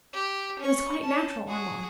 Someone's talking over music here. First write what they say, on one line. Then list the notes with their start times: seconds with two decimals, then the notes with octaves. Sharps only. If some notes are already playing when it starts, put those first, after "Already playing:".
It was quite natural, Armand.
0.14 G4
0.59 C#4 C#6
1.02 C#4 A5
1.47 F#4 G#4